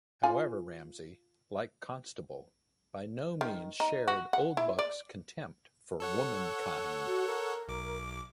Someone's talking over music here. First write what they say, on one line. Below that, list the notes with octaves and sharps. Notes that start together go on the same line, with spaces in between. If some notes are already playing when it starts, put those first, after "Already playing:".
However Ramsay, like Constable, by no means shared Oldbuck's contempt for "womankind".
F4 G#5
D#3
D#4
F#4
F#5
E4
D5
A4 C#5 F#5
F#4
A#4
B1 D6